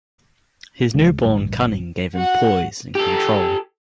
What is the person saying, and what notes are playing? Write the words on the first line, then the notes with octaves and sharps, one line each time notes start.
His newborn cunning gave him poise and control.
D1 C#3 G#3
A1 D2 G2
F#4 F#5
G4 A4